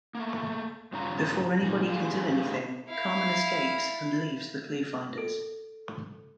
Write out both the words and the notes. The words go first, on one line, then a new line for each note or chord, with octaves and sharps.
Before anybody can do anything, Carmen escapes and leaves the ClueFinders.
A3 A#3
G2 C#3 F#3 F4 A#5
A#2 E3 D#4
A2 D3 G4 G#4 B4 F5
E4 F5
A4